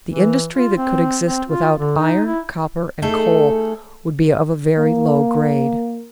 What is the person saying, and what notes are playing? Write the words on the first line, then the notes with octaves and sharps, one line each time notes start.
The industry that could exist without iron, copper, and coal would be of a very low grade.
E3
F4
C4
C4
F4
D3
D#4
E4
A3 D#4 G#4 A4
A#3